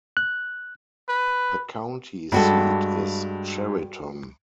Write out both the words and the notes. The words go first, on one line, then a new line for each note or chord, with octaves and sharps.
The county seat is Chariton.
F#6
B4
G2 G3 G#3 F#4 A4